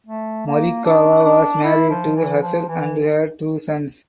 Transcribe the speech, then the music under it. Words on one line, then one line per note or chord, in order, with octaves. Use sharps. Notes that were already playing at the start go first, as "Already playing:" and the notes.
Morikawa was married to Hazel and had two sons.
A3
A#3
D4
D4
E4
F3
E3
F3
E3